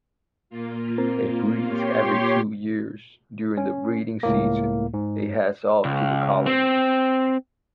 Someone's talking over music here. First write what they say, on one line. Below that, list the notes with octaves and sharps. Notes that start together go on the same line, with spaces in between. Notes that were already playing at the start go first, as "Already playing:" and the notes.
It breeds every two years. During the breeding season it heads off to the colonies.
A#2 A#3 F4
C4 A#4
G4 C#5 C6
C#4
C#2 A2 A#3
G#2
C#2
C4